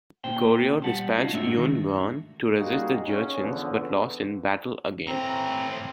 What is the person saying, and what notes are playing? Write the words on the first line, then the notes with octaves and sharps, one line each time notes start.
Goryeo dispatched Yun Gwan to resist the Jurchens but lost in battle again.
A#2 C5 G5
G3 F#5 A5
C#4 D#4 F4 F#4
G#2 A3 D4 F#4 E5
D#3
G3 A#3 D#4 F4 F#4 G#4
C#4
E2 D3 F3 B3
A2 C4 A#5